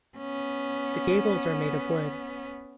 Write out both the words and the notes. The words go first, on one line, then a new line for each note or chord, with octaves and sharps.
The gables are made of wood.
B3 C#4